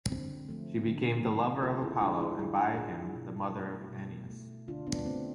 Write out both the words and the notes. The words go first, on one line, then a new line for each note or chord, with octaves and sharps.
She became the lover of Apollo and by him the mother of Anius.
D3 C4
F3 A3
D3
F3 A3
D3 F4 A4
E4 G#4
G#3 D4 F4
E4 G#4
D3 E4 G#4
D4 F4
F4
G#3 E4 G#4
B2
A3
B2
A3
D3 D4 F4
B3 D4
A3 C4